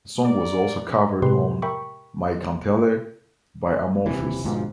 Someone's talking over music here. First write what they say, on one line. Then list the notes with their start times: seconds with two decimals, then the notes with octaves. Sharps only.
The song was also covered on "My Kantele" by Amorphis.
0.22 A#4 D5
1.22 A2 C3 G#3 G4 B4 C6
1.62 A#4 E5 G5 B5 C#6
4.06 D#1 A#1 C3 E3
4.44 D2 G#2 B2 F3